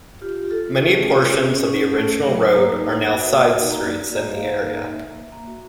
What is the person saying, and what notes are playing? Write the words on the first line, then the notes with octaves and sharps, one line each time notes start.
Many portions of the original road are now side streets in the area.
F4 G4
F4 G4
F4 A4
F4
C#4 G#4
A3
F4
C#4
C#4
C#4
C#4
C#4
A3 A4
A3 A#4
F#3
F#3 A#4
A#3 B4
D#4
A#3
A#3
F#4
A#3
F#4
D#4
A#3
A#3 D5
F#4
D5
A#3 D#5
A#3 F5
A#3
D#4
A#3
A#3 E5
A#3
A#3
A#3
F#4